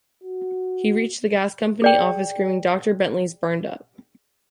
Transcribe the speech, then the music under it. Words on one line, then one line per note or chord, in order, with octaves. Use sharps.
He reached the gas company office screaming Doctor Bentley's burned up!
F#4
G#4 D5 G5